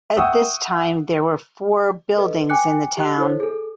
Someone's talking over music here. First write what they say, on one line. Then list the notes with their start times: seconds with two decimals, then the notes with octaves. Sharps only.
At this time there were four buildings in the town.
0.17 E5 F#5 G5 C#6 D#6 E6
2.16 A4 B4 D#5
2.49 G5 G#5 D6 F#6 C#7
2.97 G4 D#5 F#6
3.17 E4 A4 C5 C#5
3.40 G#4 A4